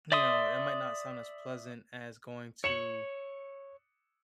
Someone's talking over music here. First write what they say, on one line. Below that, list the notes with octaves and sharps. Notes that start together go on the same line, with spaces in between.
you know, that might not sound as pleasant as going to
D5 E5 C6 D#6
C#5 C#7 E7 F#7